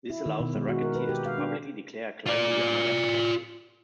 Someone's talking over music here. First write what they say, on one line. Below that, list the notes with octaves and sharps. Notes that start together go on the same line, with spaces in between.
This allows the racketeers to publicly declare a client to be under their protection.
E4
D#3
B2
G#3
F#4
A#4
B4
G4
F5
D4
F4 D5